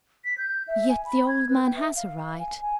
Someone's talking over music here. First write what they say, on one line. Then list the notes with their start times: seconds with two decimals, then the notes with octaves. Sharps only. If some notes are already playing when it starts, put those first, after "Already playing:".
Yet the old man has a right.
0.24 B6
0.38 G6
0.68 E5
0.89 G#5
1.05 B5
1.28 G#6
1.49 B4
1.64 G5
1.76 E5
1.96 F5
2.39 G#5
2.61 G#5